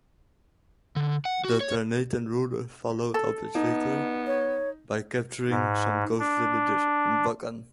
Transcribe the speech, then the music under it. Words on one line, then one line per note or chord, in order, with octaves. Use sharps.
The Ternatan ruler followed up his victory by capturing some coast villages in Bacan.
D3
F#5
F#4
C#5
A4
B3 D#4
C#5
G#2
D4